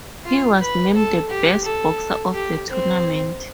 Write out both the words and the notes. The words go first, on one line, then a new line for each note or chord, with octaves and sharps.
He was named the best boxer of the tournament.
F4
B4
A4
G4
A4
G4
C4